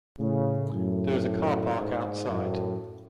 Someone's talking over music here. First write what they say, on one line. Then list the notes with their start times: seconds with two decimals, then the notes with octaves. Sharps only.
There is a car park outside.
0.20 A2 C#3
0.72 F#2 A2
1.77 G#2
2.27 F#2 A2